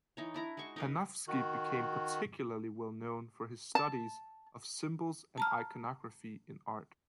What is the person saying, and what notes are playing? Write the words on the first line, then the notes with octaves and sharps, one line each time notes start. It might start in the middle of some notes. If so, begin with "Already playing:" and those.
Panofsky became particularly well known for his studies of symbols and iconography in art.
E3 D#4 C#5
D4 E4 A#5
G#3 D#4 F#4 C#6
D#4 A#4 B4
D#3 F#4
A5
A5 A#5 F6